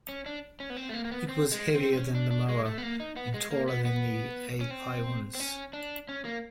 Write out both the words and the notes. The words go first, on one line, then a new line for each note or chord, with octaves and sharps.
It was heavier than the Moa and taller than "Aepyornis".
C#4
D4
C#4
B3
C4
A3
A#3
A#3
B3
C4
G#3
C4
C4
C#4
D4
D4
G#3
A3
B3
A#3
D#4
B3
G#3
A#3
B3
B3
C#4
C4
C4
C#4
D4
C#4
A#3